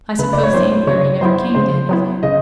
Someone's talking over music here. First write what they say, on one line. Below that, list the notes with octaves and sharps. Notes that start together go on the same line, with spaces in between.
I suppose the inquiry never came to anything.'
C#3 B4
D5
C#5
F#3 B3 E4 C5
C#3 C#5
F#3 B3 E4 C5
C#3 C5
F#3 B3 E4
C#3 D#5